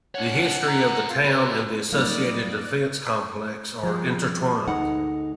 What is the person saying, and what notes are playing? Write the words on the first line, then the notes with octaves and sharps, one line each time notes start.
The history of the town and the associated defense complex are intertwined.
D4 C#5 F#5
C#4 A#5
F4
F4 B4 G#5
F#4
D#3 F#3 G3 A3 A#3 D5 D#5
F3 G3 G#3
D2 G#3 D#4 A4 F#5